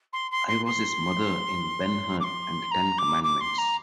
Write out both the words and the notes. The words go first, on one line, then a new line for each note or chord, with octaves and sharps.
I was his mother in "Ben Hur" and "The Ten Commandments".
C6
C6
C6
C6
D6
C6
A#5
D6
D6
C6
A#5